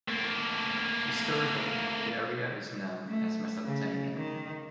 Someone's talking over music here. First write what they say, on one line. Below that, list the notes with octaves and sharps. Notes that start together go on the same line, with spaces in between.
Historically, the area is known as Mesopotamia.
A3 A#3
A3
C#3
D#3